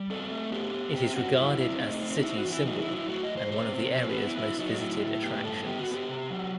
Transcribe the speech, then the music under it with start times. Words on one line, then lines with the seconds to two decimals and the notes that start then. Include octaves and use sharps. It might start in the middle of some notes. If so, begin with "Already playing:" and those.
It is regarded as the city's symbol and one of the area's most-visited attractions.
Already playing: G3
0.10 C4 A4
0.31 A3
0.52 B3 G4
0.74 B3
0.95 C4 G4
1.16 G2 F#4
1.38 F#3 E4
1.59 C4 E4
1.80 A3 D#4
2.02 C4
2.17 D#4
2.23 C4 E4
2.37 F#4
2.45 E3
2.52 E4
2.66 F#3 D#4
2.80 E4
2.87 F#3
2.95 E4
3.09 A3 F#4
3.23 D#5
3.31 E2
3.37 C5
3.52 B2 C5
3.73 C4
3.94 F#3 C5
4.09 B4
4.16 B3
4.22 E4
4.37 F#3 E4
4.59 F#3 D#4
4.80 A2 E4
5.02 A2
5.22 B3 G4
5.44 G2 A4
5.66 B3 G4
5.79 F#4
5.87 B3
5.94 G4
6.09 C3
6.30 F#3